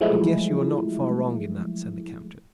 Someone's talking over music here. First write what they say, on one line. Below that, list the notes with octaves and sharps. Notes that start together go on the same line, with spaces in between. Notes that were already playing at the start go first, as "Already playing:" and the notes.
"I guess you are not far wrong in that," said the captain.
F3 F#3 G#3 A3 E4